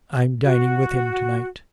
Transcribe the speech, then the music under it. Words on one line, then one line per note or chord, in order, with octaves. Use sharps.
I'm dining with him to-night.'
F#4